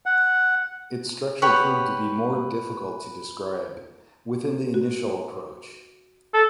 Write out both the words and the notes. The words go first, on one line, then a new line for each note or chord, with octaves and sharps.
Its structure proved to be more difficult to describe within the initial approach.
F#5
G4 B4 C#5 F#5
F#4
A4